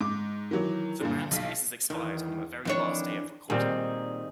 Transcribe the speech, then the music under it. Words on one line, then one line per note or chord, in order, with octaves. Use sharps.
The band's visas expired on the very last day of recording.
G#2 D6
D#3 E3 F#3
G2 A#2 D3
B1 F5 B6
E2 D#3 E3
F2 D#3 E3 D4 C#5
A#2 D#3 G3 C4 D#4 G#4